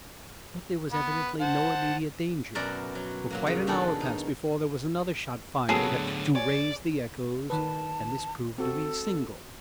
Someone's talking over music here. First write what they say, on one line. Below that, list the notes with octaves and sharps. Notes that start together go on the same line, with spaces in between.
But there was evidently no immediate danger, for quite an hour passed before there was another shot fired to raise the echoes, and this proved to be single.
B3 B4
C5 F#5 A5
F#2 B2 A#4 D5 E5 F#5
F#3
A#2 F#3 A#3
C#3
B2 D#3 D4 G#4 A4 F#5
D#4
C#3 F#3 A#3 B3 G#4 A4
A2 D3
C#5 D5 G#5
D#3 B4 A5
C4 F#4 A4